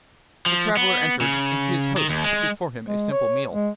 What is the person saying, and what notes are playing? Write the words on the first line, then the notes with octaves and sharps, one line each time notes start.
The traveller entered, and his host put before him a simple meal.
F3
B3
C#3
D#3
D#2
G#3
G#3
C#5
G#3